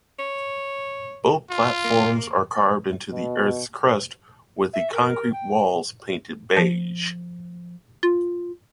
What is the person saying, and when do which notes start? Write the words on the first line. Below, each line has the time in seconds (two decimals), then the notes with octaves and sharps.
Both platforms are carved into the Earth's crust with the concrete walls painted beige.
0.19 C#5
1.50 F4
1.84 A#3
3.10 B2
4.73 E5
4.92 A#4
5.32 G5
6.57 F3
8.03 F4